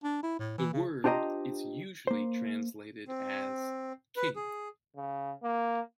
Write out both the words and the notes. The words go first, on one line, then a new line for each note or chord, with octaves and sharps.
The word is usually translated as "king".
D4
E4
A2
E3
C#3
D4 F4 G4 C5 D#5 A#5
A#3 C5
C4
B4
G#4
C#3
A#3